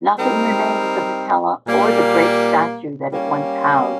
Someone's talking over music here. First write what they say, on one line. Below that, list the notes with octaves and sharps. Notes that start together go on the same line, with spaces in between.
Nothing remains of the cella or the great statue that it once housed.
G3 C4 D#4 A#4
A#2 G3 A#3
G3 A#3 C#4